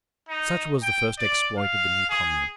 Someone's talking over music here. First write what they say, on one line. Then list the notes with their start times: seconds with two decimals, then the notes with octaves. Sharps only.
Such was the first exploit of the new Commune.
0.29 D#4
0.82 G5
1.18 D5
1.58 F5
2.10 G#4